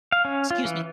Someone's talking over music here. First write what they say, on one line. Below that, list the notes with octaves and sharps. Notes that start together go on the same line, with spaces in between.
Excuse me,
F5
C#4
F4
E3